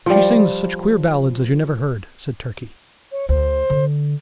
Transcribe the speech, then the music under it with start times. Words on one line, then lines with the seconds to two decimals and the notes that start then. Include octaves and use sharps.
"She sings such queer ballads as you never heard," said Turkey.
0.06 F3 G3
3.12 C#5
3.29 D2 C5
3.70 D3